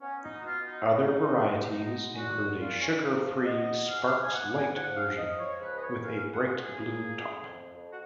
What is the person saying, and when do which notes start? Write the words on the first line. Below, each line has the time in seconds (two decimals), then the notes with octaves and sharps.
Other varieties include a sugar-free "Sparks Light" version with a bright blue top.
0.01 B3 C#4
0.22 D#4
0.40 F#4
0.43 B2 F4
0.65 D#4
0.87 B2 D#4
1.30 G#3
1.72 B3 D#4
2.11 G#4
2.16 A#2 F#4
2.59 A#2 F4
2.81 C#4
2.87 D#4
3.02 F3
3.44 B3 D#5
3.88 G#2 F5
4.22 G#5
4.31 G#2 F#5
4.53 G#5
4.74 F3 F#5
4.95 F5
5.17 F3 D#5
5.38 C#5
5.60 C#2 B4
5.77 D#5
5.81 C#5
6.03 G#3 F5
6.32 F#5
6.46 C#3
6.61 G#4
6.88 A#3
7.32 F2
7.75 F2
7.90 F#4